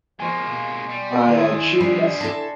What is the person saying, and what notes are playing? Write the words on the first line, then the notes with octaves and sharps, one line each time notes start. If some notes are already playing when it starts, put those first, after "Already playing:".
I add cheese.
F3 G#3 A#3 G#5 C6 C#6
B2
G3
D3 D#3 E4 G#4
G3 D4 B5 C7
E4 A4 A5 A#6 B6